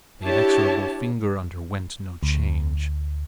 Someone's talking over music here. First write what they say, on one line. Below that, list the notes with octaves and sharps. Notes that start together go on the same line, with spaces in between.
The inexorable finger underwent no change.
D4 E4 G4 C#5 A5
D2